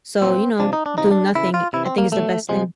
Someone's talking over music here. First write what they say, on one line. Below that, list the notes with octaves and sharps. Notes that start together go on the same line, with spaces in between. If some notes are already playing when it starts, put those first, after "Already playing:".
So, you know, doing nothing I think is the best thing.
A#2 F3 C4
C3 F3 D4
D#4
D4
C3 F3 D#4
D4
C#3 E3 E4
F4
C3 E3 E4
C4
A#3
B2 F#3 A3
C3 F3 G#3